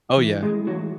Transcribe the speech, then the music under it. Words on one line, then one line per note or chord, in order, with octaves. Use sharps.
Oh, yeah.
E3
A2 G#3 G#4
E3 F#3 F#4